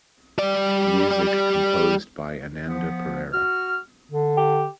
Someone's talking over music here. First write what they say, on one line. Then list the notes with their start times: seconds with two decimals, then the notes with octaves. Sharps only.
Music composed by Ananda Perera.
0.38 G3 D5
2.68 F3 B3
3.33 F#4 F6
4.12 D3
4.37 G4